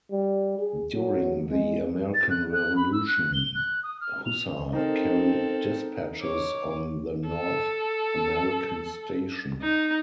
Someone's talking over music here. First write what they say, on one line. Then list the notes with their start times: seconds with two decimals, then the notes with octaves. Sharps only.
During the American Revolution, "Hussar" carried dispatches on the North American station.
0.11 G3
0.59 G#4
0.94 F#3
1.50 G#3
2.14 A6
2.30 F#6
2.53 F#6
2.76 B5
2.92 E6
3.07 F#6
3.34 G7
3.55 F#6
3.83 D#6
4.01 F6
4.26 F7
4.73 C4 D#4 A4 A#4
6.21 C#5 D6
7.28 A4
9.62 D#4